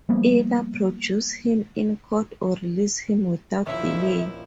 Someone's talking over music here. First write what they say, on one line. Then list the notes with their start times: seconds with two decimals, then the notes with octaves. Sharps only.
Either produce him in court or release him without delay.
0.09 F3 G3 A#3 B3
3.66 D#1 A#1 D#3 F3 E4 C#5 E5